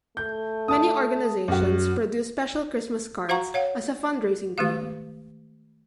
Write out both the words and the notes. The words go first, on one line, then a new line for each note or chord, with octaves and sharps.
Many organizations produce special Christmas cards as a fundraising tool.
A3 G6
A5 D#6
F#2 F#4
F#4 C5 F5 F#5 A#5 C#6
C#5 F5 F#5
D#3 G#3 A3 G4 F5